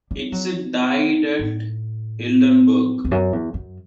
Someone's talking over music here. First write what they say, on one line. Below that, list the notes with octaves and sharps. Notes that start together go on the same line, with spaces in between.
Hitzig died at Heidelberg.
G3
F#3
A2
E2
F#2
E2
F#2